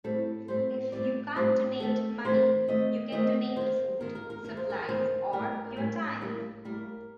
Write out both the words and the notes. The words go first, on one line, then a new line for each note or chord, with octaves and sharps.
If you can't donate money, you can donate food, supplies or your time.
A2 G3 C4 A4
A2 G3 C4 C5
A2 G3 C4 D5
A2 G3 C4 C5
D#3 A3 C4 A4
D#3 A3 C4 C5
D#3 A3 C4 D#5
D#3 A3 C4 D#5
D#3 A#3 C5
D#3 A#3 A#4
A#4
A#4
D#3 A#3 A#4
C5
A#4
D#3 A#3 C5
A2 G3 A#3 A#4
A2 G3 A#3
A2 G3 A#3
A2 G3 A#3 A#4